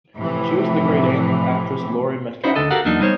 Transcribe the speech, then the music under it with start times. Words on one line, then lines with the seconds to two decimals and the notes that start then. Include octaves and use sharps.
She was the great-aunt of actress Laurie Metcalf.
0.16 A2 C3 E3 F3
2.44 C#4 D#4 E4 F#4 B4 C5
2.55 D2 D4 A4 D#5
2.71 F#4 G4 A4 A#4 F5 F#5
2.85 E2 F#3 A#3 D4 D#4
3.00 G3 B3 D#4 F4 C5 C#5